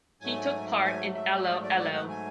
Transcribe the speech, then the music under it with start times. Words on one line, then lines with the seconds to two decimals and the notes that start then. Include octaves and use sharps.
He took part in 'Allo 'Allo!
0.21 G#2 F#3 A3 G#5
0.84 G#5
1.15 E5
1.37 E5
1.47 D5
1.63 D5
1.78 D5
1.93 F#5
2.09 G#5